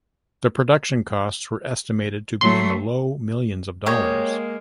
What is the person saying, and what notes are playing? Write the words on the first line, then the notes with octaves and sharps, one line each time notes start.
The production costs were estimated to be in the low millions of dollars.
F#3 A3 C6
G#3 A#3 G4 C#5 D#5